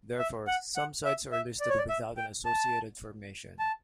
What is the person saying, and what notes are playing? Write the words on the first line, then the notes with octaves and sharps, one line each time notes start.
Therefore, some sites are listed without an associated formation.
E5
F#5
F#5
E5
E5
D5
C#5
D5
E5
G5
A5
A5